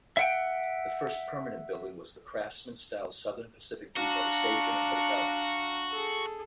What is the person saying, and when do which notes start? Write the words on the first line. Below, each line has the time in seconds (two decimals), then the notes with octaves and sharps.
The first permanent building was the craftsman style Southern Pacific Depot station and hotel.
0.17 E5 F#5 G5
3.97 D4 F#4 F5 A#5
5.91 G#4 A4